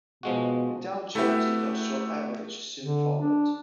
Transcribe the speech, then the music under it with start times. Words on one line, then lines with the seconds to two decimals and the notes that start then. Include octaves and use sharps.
The Dow Jones Industrial Average soon followed.
0.23 B2 F3 G#3 F#4
1.15 A3 E4 F#4 G4 B4 E5
2.83 D3
3.19 D4